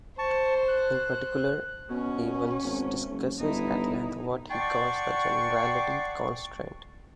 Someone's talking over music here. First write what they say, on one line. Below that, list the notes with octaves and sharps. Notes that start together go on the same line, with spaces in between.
In particular, Evans discusses at length what he calls the "Generality Constraint".
C5 A5 C#6
F#6
B2 C#4
G#1
F#1
G1 D#4 E4
D5 F#5 G5 A5 C6 C#6